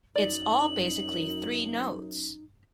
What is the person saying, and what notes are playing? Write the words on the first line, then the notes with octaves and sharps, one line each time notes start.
It's all basically three notes!
F#2 D#4 D5 F#7